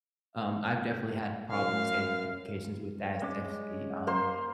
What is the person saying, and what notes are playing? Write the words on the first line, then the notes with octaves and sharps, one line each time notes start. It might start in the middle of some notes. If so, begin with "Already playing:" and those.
um, I've definitely had problems and complications with that, it's definitely, um,
F#2 F5
G#3 C#4 D6
A#3 C5 C6